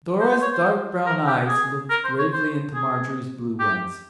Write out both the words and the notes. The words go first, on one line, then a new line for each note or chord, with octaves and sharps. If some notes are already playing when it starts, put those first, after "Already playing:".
Dora's dark brown eyes looked gravely into Marjorie's blue ones.
C5
C5
C#5
C5
A#4
G4
G#4
A#4
C5
C#5
C5
G#4
G4